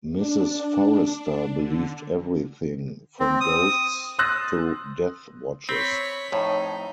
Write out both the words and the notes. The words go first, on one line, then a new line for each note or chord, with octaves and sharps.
Mrs Forrester believed everything, from ghosts to death-watches.
D4
D3
C4
D#6
C6 D#6 E6 F#6 A6 A#6
C4 C#5 B5
F2 A2 D#4 C#5